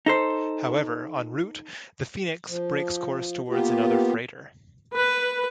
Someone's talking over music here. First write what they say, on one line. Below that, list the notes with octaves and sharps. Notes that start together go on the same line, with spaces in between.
However, en route, the "Phoenix" breaks course towards another freighter.
D#4 A4 C5
F3
A#3 B3 F4 G4
B4